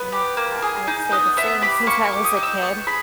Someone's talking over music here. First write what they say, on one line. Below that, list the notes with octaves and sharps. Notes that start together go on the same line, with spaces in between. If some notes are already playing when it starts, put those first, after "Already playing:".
mhm, I I've stayed the same since I was a kid,
Already playing: B3 B4
G4
A#3
G#4
D#4
B3 D#5
B3 E5
G4 B5
A#3 C#6
C#6
G4
D#6
D#4
E6
B3 C#6
G#4 B5